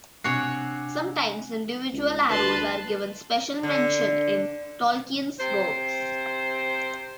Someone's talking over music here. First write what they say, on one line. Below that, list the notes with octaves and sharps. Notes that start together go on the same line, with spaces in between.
Sometimes individual arrows are given special mention in Tolkien's works.
C3 D4 F#4 C#5 G#5 D6 C7
C#2
D2 B4 A5 C6
D3
C3 C5